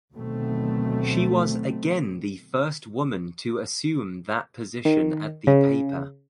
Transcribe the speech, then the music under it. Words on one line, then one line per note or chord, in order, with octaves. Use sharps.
She was again the first woman to assume that position at the paper.
D2 B2 D#3 F#3 A3 C4
D#3
C#3